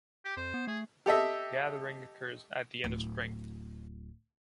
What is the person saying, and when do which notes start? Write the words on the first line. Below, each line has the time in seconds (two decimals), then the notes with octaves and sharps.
Gathering occurs at the end of spring.
0.25 G4
0.37 F2 C5
0.54 B3
0.67 A3 G#4
1.06 G4 A4 D#5 E5
2.84 D1 E4